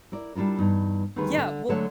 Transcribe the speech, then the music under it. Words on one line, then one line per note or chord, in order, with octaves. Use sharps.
Yeah, well
E4 A#4 D5
G3 D4 E4 F4 A#4
E2 G2 D#4
D2 D#3 G3 G#4 B4
D3
D3 F#3 G#3 A3 C#5 A5